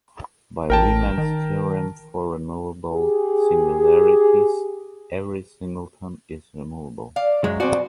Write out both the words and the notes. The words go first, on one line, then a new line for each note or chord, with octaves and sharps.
By Riemann's theorem for removable singularities, every singleton is removable.
A1 A#4 G5 A5
D#3
G4 G#4
D5 F5
F#2 F#3 G#3
B2 C4 F#4 D5 G#5